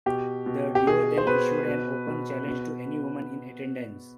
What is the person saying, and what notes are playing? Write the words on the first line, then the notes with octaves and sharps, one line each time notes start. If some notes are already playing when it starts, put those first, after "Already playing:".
The duo then issued an open challenge to any women in attendance.
B2 G4
B2
G4
B2 G#4
C5
B2 B4
B2
B2
B2